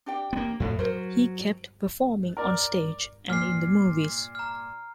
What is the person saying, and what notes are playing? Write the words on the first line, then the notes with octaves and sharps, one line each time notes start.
He kept performing on stage and in the movies.
D4 G4 G5
A#3 B3
F2 A2
F#3 A#4 C5
A#4 D5
A#2 F6 C7
A#5 F6